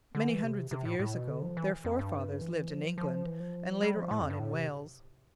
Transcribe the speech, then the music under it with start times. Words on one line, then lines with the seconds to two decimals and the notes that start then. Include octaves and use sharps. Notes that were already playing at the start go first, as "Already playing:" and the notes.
Many hundreds of years ago their forefathers lived in England and later on in Wales.
0.15 D3
0.29 E3
0.43 C3
0.71 C3
0.85 A2
0.99 A2
1.14 B2
1.28 D3
1.42 F3
1.57 E3
1.85 F2
1.99 G2
2.41 E3
2.69 F3
2.98 F3
3.26 E3
3.40 F3
3.82 G3
3.97 F3
4.11 A2
4.20 F2
4.30 G2
4.40 A2
4.53 C3